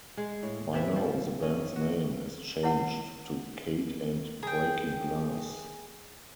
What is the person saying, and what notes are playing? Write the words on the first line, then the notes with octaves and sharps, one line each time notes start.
By now the band's name has changed to "Kate and Breaking Glass".
G#3
A2
C3 E3 E5
F3
C#4 D#5
F#4
E4 C#5 F#5
G#4 G5